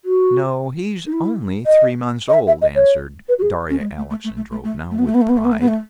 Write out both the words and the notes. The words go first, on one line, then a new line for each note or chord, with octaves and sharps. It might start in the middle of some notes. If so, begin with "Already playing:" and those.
"No; he's only three months old," answered Darya Alexandrovna with pride.
F#4
D#4
E4
D#5
D#5
E5
E5
D#5
C#5
B4
F#4
G#4
C#4
A3
G#3
A3
A3
A3
A3
A3
A3
A3
B3
A3
B3
A3
B3
A3
B3
A3
B3
A3